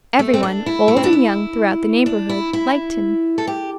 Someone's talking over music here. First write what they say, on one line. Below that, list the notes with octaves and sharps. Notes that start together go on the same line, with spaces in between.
Everyone, old and young throughout the neighborhood, liked him.
A3
C4
D4
E4
A3
C4
D4
E4
D4
E4
E4
A4
G4